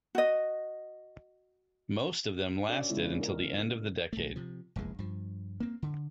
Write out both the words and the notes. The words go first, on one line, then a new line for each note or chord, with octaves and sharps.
Most of them lasted until the end of the decade.
F#4 D#5
C#4 D4 F#4 A4 D5
C#3 G#3 B3 C#4 E4 F4
A#4
B1 A3
C3 F3
F1 A#1 E2 G#3
G2 F3
A#3 C4
D3